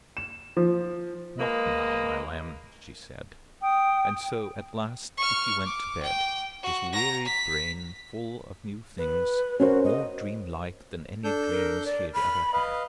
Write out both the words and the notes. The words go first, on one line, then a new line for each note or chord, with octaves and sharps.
"Not now, my lamb," she said; and so at last Dickie went to bed, his weary brain full of new things more dream-like than any dreams he had ever had.
E7
F3
G#3 A#3 B4 D#5
G5 D#6
C#6 F6
D6
G5
F#4
A#5 A#6
B6
B4
C#4 F#4 A#4 C5
D#5
D4 A4 G6
A#4
D5
B5 F6
B4 D#5 F5